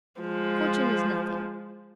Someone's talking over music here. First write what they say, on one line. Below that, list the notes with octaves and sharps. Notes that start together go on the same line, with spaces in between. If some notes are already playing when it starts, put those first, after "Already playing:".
Fortune is nothing.
F3 G#3